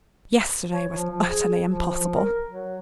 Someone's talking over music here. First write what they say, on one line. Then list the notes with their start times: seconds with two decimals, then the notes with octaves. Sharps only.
Yesterday was utterly impossible.
0.72 C#5
0.94 F3
1.10 F3
1.29 G#4
1.67 F3
1.94 F3
2.15 A#4
2.48 F#3